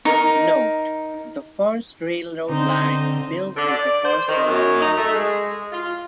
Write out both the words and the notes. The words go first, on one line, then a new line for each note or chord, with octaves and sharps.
Note: The first railroad line built is the first one named.
D#4 A#4
D3 C4 D#4 C5
D3
D5
C5
D#3
F#2
D#4
A3
G#3
F4